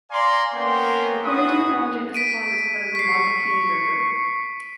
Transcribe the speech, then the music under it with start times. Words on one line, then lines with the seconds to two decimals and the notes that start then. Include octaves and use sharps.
According to mythology this pond was the part of the Mandakini River.
0.11 D5 F5 G#5 A#5 C6
0.54 A#3 B3 C#4 A#4 G5 C6
1.25 E4 F#4 G#4 B4 D#6
2.14 B6 D7 D#7
2.95 C#6 B6 C7